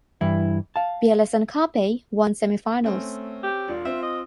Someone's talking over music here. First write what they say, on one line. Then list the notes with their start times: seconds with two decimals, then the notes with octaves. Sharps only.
Biellese and Carpi won semifinals.
0.21 G2 E3 E4
0.76 F5 A5
2.84 A3 C4 C#4
3.44 G4
3.68 E1 D4 F4
3.85 C4 E5
4.03 D#5